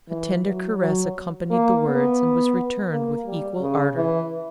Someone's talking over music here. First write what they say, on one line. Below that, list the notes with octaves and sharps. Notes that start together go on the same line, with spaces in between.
A tender caress accompanied the words, and was returned with equal ardor.
E3
F#3
F#3
A#3
B3
A#3
G3
C#3
E3